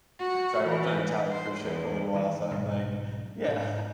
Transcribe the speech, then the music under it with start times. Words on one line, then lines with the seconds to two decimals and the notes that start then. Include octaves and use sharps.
Sorry, worked on an Italian cruise ship for a little while, so I'm, like Yeah.
0.19 F#4
0.64 E3
1.31 C5
1.60 E2
2.14 D#3 E3
2.51 B1 G#2
3.44 G#2 D4